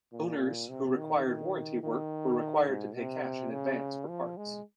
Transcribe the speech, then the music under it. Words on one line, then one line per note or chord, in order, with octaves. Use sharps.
Owners who required warranty work were required to pay cash in advance for parts.
A#2
C3
D#3
D#3
D#3
G#2
C3
C#3
F3
G#3